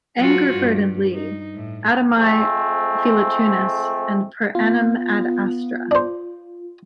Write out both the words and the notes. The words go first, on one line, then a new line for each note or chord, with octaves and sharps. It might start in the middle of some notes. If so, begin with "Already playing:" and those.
Angerford and Lea, Adamai Philotunus and Per Anum Ad Astra.
F#3 F4 F#4
G2
D#4
A2
F2 G#3 A3 C4
B3 F4
D4 C5